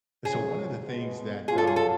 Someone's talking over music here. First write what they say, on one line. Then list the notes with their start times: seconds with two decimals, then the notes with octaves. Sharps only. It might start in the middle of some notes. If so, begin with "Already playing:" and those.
So, one of the things that, um,
0.25 F2 C#3 F#3 C#4 G#4
0.86 B2 G#3 B3
1.48 B2 F#3 C#4 F4 G#4
1.58 A4
1.67 G#4
1.76 A4